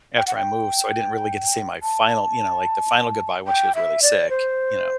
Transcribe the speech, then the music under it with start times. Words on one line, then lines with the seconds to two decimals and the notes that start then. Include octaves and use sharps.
after I moved, so I didn't really get to say my final you know, like the final goodbye when she was really sick, you know?
0.17 G5
0.27 F#5
0.36 G5
1.82 A5
3.47 G5
3.75 E5
4.02 D5
4.29 C5